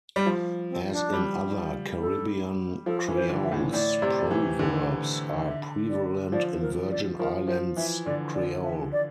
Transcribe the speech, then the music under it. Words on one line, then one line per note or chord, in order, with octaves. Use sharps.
As in other Caribbean creoles, proverbs are prevalent in Virgin Islands Creole.
G3
F3 F4
C4
D4
G3
A4
F3 A4
E3
C5
D3
E5
A2
A2 D5
C3
E3
D3
E5
D5
F3 D5
A#4
D5
F3 A#4
F3 C5
E3 E5
D3 D5
D5
E5
D5